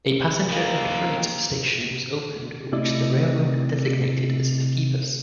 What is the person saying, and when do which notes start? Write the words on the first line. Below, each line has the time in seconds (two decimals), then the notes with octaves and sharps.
A passenger and freight station was opened, which the railroad designated as "Phoebus".
0.49 D#3 A#3
2.72 C3 A3 E4 D5 D#5